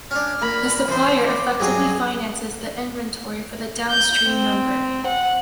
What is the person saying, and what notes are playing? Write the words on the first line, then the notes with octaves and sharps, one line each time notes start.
The supplier effectively finances the inventory for the downstream member.
C#4 D4 F6
A#2 B5
E3 F3 C5
D6
G2 F#3 F4 G#4
G6
C4
F#5